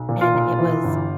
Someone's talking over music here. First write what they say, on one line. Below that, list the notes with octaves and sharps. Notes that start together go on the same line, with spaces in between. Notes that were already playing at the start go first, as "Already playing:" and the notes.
And it was
Already playing: B1
A#2
F4
B1
E3
G1